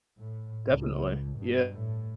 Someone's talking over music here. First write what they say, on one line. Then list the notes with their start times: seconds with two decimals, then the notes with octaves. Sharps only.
Definitely. Yeah,
0.20 A2
0.67 C#2
1.36 G2
1.72 A2